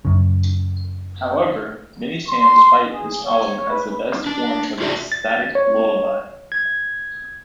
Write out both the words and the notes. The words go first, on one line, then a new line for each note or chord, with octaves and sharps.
However, many fans cite this album as the best from A Static Lullaby.
F#2 C#3
C6
G#4
C#5
B4
D4
F4 F#4 D5 E5
A6
C#5
G#6